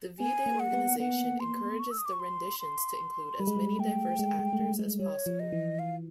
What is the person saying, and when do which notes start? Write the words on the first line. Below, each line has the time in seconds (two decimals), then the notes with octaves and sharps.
The V-Day organization encourages the renditions to include as many diverse actors as possible.
0.20 B3 G#5
0.46 A#3
0.60 F#5
0.73 B3
1.00 B3 F#5
1.40 C6
1.79 C#6
1.91 E6
1.98 D#6
2.06 D6
2.13 C#6
2.20 C6
2.59 C6
3.39 G3 B5
3.47 G#3
3.56 G3
3.79 A3 G5
4.19 G#3
4.39 G#3
4.53 A3
4.59 G#3
4.79 G#3
4.99 G3 C#5
5.26 F3
5.40 D#5
5.52 E3
5.79 F5